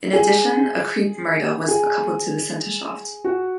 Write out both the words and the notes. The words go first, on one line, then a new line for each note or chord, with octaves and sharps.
In addition a "creep" motor was coupled to the centre shaft.
G#4
G#4
F#4